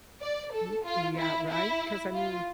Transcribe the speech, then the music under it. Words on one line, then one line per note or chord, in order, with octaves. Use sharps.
Y yeah, right? 'Cause, I mean
D5
A4
F4
E4
E4
F4